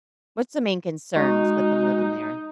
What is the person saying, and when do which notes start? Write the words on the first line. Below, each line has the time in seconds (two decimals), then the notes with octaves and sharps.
What's the main concerns with them living there?
1.16 G#3 D#4 F#4